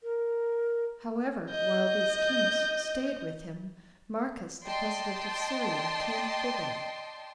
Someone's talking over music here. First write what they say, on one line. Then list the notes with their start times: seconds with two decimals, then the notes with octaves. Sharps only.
However, while these kings staid with him, Marcus, the president of Syria, came thither.
0.03 A#4
1.51 D#5 G6
4.64 D5 D#5 G5 A5 C6